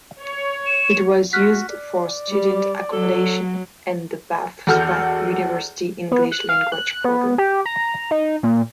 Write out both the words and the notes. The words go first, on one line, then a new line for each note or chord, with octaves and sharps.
It was used for student accommodation and the Bath Spa University English Language Programme.
C#5
E7
F#4 F6 F#6 B6
D5
G3
F#3 A4
E2 F#4 A4 F6 G6
B3
F#6
F5
F#6
B3
G4
A#5
D#4
A#2